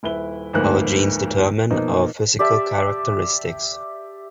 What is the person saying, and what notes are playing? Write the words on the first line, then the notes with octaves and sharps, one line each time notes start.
Our genes determine our physical characteristics.
D#1 E4 B4 B5 G7
D2 G#2 F3 A#3 B3 F#6
B2 F3 A#3 D#4
G4 D5 E5 A5